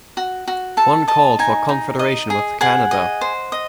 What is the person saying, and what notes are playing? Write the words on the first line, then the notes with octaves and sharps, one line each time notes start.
One called for Confederation with Canada.
F#4
F#4
A4 A5
D#5 A5
D#4 G#5
D#4
D#5
G#4
G#4 F#5
D#5
C5
D#5